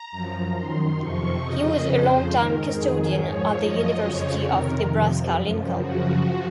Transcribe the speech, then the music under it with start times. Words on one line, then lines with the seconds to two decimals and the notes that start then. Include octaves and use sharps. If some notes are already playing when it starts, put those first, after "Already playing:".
He was a long-time custodian at the University of Nebraska-Lincoln.
Already playing: A#5
0.12 F#2 F3
0.55 F#2 D#3 C6
0.99 F2 C3 F3 C#6
1.42 F2 C#3 F3 D#5
1.85 F2 C#3 F3 C5
2.28 G#2 D#3 A#4
2.72 F2 D#3 G#4
3.15 G#2 F3 C#5
3.58 F#2 F3 D#5
4.02 F2 C#3 F3 C#5
4.45 F2 C3 D#3 A#4
4.89 F2 C3 F3
5.32 F#2 F3
5.75 F#2 C#3 F3 F#4
6.19 F3